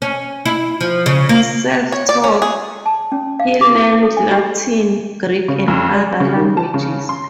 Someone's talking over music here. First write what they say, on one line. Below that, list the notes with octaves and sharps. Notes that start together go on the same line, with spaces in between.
Self-taught, he learned Latin, Greek and other languages.
C#4
E4
F3
C#3
A#3
C#5
D5
C#4
G#4
A5
C#4
F5
D6
E4
A4
G#5
G4
C#3
F2
G3
C#3
D#3
A5
C#3
C6